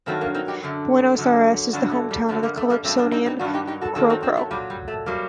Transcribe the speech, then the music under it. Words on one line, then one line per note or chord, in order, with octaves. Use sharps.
Buenos Ayres is the hometown of the calypsonian Cro Cro.
G2 D#3 F#3 A3 C4
A#3 D4
C4 D#4
D#4 G4
F#2 D3 F#3
F#2 D3 F#3
G2 D3 F#3 D4 F#4
A3
G3
F#2 D3 F#3 A3
G3 A#3
A3
G3 A#3
G2 F#3 A3 C4
A#3 D4
C4 D#4
C4 D#4
G2 D#3 F#3 D4 F#4
D#4 G4
D#4 G4
F#4 A4
F#2 D#3 F#3 A4
C4 D#4
C4 D#4
A3
A#2 F#3 G3
G3
A3
F#3 G3 A#3